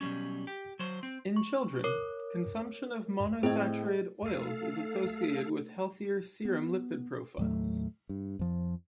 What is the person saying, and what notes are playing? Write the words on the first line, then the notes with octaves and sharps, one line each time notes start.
In children, consumption of monounsaturated oils is associated with healthier serum lipid profiles.
B2 E3 F#3 G3 C#4
G4
F#3 C5
C4
C#6
A#4 C#5 D6
A2 C4 G#4 D#5
A3 A4 F5
B3
D#2 A2 F#3 A3
G2
F2 F3